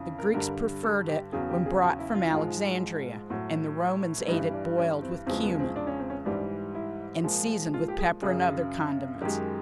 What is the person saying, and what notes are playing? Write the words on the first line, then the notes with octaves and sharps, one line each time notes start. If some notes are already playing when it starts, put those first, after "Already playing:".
The Greeks preferred it when brought from Alexandria, and the Romans ate it boiled with cumin, and seasoned with pepper and other condiments.
Already playing: F2 C#3 E3
A#4
G2 D3 G3 A#4
A4
G4
E2 C#3 F#3 G#4
G4
G#4
F#4
E4
F4
G#2 F3 G#3
A2 F#3 F#4
G2 E3 G3 D#4
D4
C#4
C4
E2 C#3 F3 G#3 C4
B3
C4
D4
C#4
C4
C#4
G#2 E3 G3 D4
E4
A#2 F3 G#3
F4
G4
G#4
F#2 C#3 F#3 G#4
F#2 D#3 G#3 G4